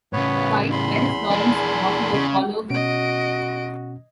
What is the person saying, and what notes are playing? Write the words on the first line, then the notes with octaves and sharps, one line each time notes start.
Why, where is Florence's bottle of cologne?
A2 C#3 B3 B4 C#5
E2 B5 C6
D4 G#4
C#3
B2 C#4 F#4 D#5 D7